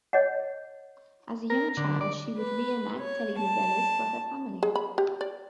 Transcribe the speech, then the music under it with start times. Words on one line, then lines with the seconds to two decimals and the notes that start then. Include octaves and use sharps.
As a young child, she would reenact telenovelas for her family.
0.13 C#5 D#5 F#5
1.50 A#4
1.77 D3
2.01 D5
2.38 B4
2.99 C#5
3.38 A5
4.63 G#4
4.75 B5
4.98 G4
5.21 D5